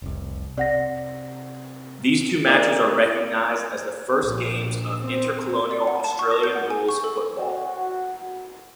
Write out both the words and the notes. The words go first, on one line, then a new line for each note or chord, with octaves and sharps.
These two matches are recognised as the first games of intercolonial Australian rules football.
F1 C2
C3 D5 F#5 A#6
A#3 D#4 A#4 D5
A#1
C4
D5
F#5
A5
C#6
A#6
G6
F#5
G#5
C#6
A4
F#4